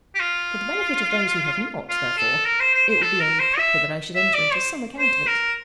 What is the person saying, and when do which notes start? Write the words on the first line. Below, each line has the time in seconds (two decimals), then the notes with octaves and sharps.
For the benefit of those who have not, therefore, it will be only proper that I should enter into some account of it.
0.15 G4
0.20 F4
1.89 F4
2.18 A4
2.46 A#4
2.60 C5
2.74 C5
2.88 C5
3.02 A4
3.21 A#4
3.39 C5
3.58 E5
4.15 E5
4.34 D5
4.53 C5
4.99 C5
5.27 A#4